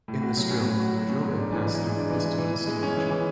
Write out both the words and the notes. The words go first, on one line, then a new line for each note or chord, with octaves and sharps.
In this drill, the drill bit passed through the piston of a steam engine.
A2
F#4
F#3
C#4
A2
F#4
F#3
C#4
G#2
D4
E3
G#3
G#2
D4
E3
G#3
E3
E3
G#3
C#4
E3
E3